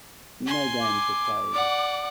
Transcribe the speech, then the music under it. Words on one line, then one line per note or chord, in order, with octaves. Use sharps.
No games were played.
G#5 C6
D6
D5 F#5